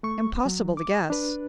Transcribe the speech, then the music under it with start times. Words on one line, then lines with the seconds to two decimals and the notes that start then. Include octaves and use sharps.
Impossible to guess.
0.03 A3 C#6
0.45 F#3
0.77 D6
1.10 D4 B4